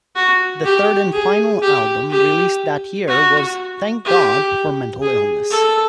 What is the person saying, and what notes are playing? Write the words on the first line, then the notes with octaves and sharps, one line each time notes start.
The third and final album released that year was "Thank God for Mental Illness".
F#4
G4
G#4
G4
G4
F#4
G4
G#4
A4